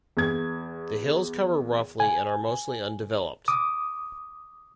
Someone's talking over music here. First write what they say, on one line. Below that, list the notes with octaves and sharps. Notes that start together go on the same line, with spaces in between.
The hills cover roughly and are mostly undeveloped.
E2 G#6
G#5
D6 D#6